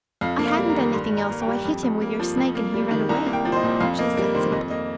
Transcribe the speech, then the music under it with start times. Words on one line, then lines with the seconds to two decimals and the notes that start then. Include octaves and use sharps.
"I hadn't anything else, so I hit him with your snake and he ran away," she said simply.
0.21 F2 F5
0.39 A#3
0.46 F5
0.58 G3
0.69 A#5
0.75 D#3
0.93 G2 C6
1.11 G2
1.17 A#5
1.30 A#3
1.42 G5
1.47 G3
1.65 F2
1.83 F2
2.01 A#3
2.20 F3
2.37 F2
2.55 A#3
2.74 G3
2.91 D#3
3.09 C2 A#5
3.26 A#3
3.33 G5
3.45 F3
3.52 C5
3.56 D#5
3.63 A#2
3.80 F2 F5
3.99 A#3 D#5
4.17 G3 A#4
4.35 D#3 C5
4.52 F2 D#5
4.70 A#3 D#5